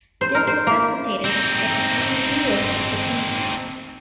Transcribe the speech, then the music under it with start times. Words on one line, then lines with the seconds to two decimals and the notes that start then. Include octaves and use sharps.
This necessitated that the family relocate to Kingston.
0.21 C5
0.35 A#4
0.47 C5
0.67 A#3
1.25 C4 D#4